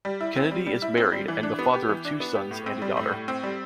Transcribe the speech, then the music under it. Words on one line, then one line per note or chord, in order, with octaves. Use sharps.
Kennedy is married and the father of two sons and a daughter.
G3
E4
C4
G3
G3
E4
C4
G3
E3
D4
B3
G4
E3
D4
B3
G4
A2
C4
G3
A2
A2
C4
G3